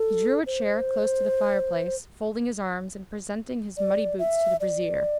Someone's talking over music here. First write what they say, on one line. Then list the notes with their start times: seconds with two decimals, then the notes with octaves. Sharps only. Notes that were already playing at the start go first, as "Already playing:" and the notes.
He drew a chair close to the fireplace, folding his arms, and presenting his muddy boots to the brazier.
Already playing: A4
0.46 C5
3.77 D5
4.19 E5
4.60 D5